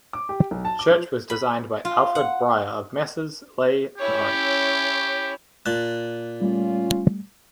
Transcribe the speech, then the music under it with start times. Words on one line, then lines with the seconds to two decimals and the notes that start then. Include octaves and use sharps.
The church was designed by Alfred Bryer of Messrs. Leigh and Orange.
0.13 D6
0.29 G4
0.51 B1
0.65 A5
0.79 D6
0.91 F3
1.30 B5
1.85 F4
2.15 F#5
3.98 C#4 E4 G4 C#5
5.66 A#2 A5 F#6
6.41 G3 A3 C#4 F4